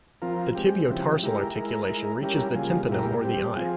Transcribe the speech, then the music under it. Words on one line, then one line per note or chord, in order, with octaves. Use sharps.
The tibio-tarsal articulation reaches the tympanum or the eye.
F3 C4 F4 A#4
G#3 C4 G4
C#3 F3 C4 E4 G4
G#3 E4 G4 A#4
G#3 E4 A#4
G#3 E4 A#4
G3 C#4 E4 G4 A#4
C#3 G3 A#3 F4 G#4
A#2 G#3 E4 G4 A#4
G3 C4 G4
F3 C4 F4 G#4